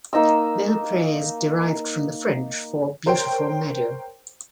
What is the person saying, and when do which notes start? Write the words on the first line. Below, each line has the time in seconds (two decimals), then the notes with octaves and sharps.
Belpre is derived from the French for "beautiful meadow".
0.13 A#3 D#4 D#5 E6
3.06 A#4 C5 C#5 G5